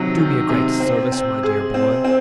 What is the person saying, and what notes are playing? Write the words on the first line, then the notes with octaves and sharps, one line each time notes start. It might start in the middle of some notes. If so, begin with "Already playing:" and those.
Do me a great service, my dear boy.
Already playing: C3 D#3 F#3
D#3
C3
C4
C4
G#4
C4
C4